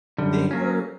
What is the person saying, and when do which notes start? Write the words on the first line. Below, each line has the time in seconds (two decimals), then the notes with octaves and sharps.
they were,
0.18 F#2 D3 G3
0.51 F#3 A#3 C#4